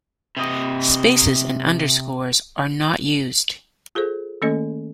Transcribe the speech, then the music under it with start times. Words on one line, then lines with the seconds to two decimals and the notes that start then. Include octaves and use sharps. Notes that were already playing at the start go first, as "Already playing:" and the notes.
Spaces and underscores are not used.
0.37 C3 D#5
3.95 F4 G#4 A4 C5
4.42 D#3 A3 A#3 C#4 A4 D#5